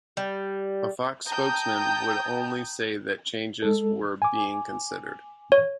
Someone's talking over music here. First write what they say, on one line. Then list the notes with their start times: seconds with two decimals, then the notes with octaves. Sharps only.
A Fox spokesman would only say that changes were being considered.
0.17 G3
1.28 G5 A5 A#5 D#6 G6
3.62 G#3 A4
4.22 G#5 D6
5.52 C#5